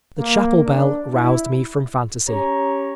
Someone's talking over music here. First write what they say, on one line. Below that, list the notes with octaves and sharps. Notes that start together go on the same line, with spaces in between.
The chapel-bell roused me from phantasy.
A#3
D4
E4
C#4 G4 C#5 A#5